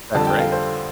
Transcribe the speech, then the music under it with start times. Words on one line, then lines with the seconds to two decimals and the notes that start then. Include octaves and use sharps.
That's right.
0.15 F2 D3 G3 A5
0.27 G5
0.40 F5
0.52 C5